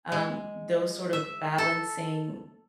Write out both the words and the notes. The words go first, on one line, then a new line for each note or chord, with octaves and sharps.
um, those sort of balancing,
G#3
E5
A4